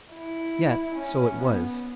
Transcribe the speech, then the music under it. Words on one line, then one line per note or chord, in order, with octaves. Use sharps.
Yet so it was.
E4
C#4
B3